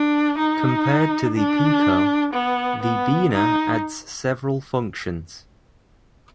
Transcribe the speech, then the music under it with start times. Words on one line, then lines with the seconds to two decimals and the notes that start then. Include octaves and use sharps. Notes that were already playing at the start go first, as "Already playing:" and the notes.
Compared to the Pico, the Beena adds several functions.
Already playing: D4
0.38 D#4
1.36 D4
2.34 B3
2.82 B3
3.32 D#4